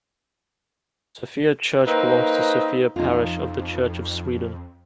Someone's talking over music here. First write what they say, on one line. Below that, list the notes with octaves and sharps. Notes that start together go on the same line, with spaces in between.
Sofia church belongs to Sofia parish of the Church of Sweden.
A#3 C4 D#4 B4
F2 D#4 F4